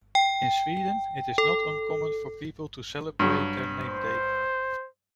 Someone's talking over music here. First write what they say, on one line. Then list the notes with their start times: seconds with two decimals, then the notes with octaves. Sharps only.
In Sweden, it is not uncommon for people to celebrate their name day.
0.15 G5
1.38 A4
3.19 G2 F#3
3.85 C5